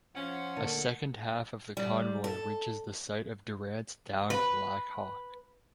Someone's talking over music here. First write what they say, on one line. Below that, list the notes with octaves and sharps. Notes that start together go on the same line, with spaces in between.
A second half of the convoy reaches the site of Durant's downed Black Hawk.
F3 C#4 F#5
D3 A3 A#3
G3
A4
B4